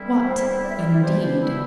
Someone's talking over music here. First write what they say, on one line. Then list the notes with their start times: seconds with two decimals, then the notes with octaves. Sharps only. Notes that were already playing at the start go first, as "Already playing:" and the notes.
What indeed!
Already playing: E2 D3 G3 C4 E4
0.24 C5
0.63 D5
0.69 E5
0.76 D5
0.84 E5
0.91 D5
1.01 B2 G3 B3 E4 C5
1.21 C5
1.40 E4